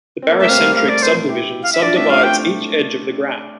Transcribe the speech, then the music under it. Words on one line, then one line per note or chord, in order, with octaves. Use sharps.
The barycentric subdivision subdivides each edge of the graph.
C4
A#3
A3 E5
C4 F5
G3 A#3
A3 F5
D5
C5
E4 G4
F5
E4 E5
D4 F4 D5
A3 C4 E5
A3 F5
G5